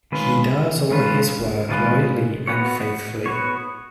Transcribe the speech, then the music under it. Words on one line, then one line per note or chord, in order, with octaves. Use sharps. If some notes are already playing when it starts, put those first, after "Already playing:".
He does all his work loyally and faithfully.
D#3 G#3 C#4 F4 B4
D#3 G#3 C#4 F4 B4
D#3 G#3 C#4 F4 B4
B3 F#4 C#5
B3 F#4 C#5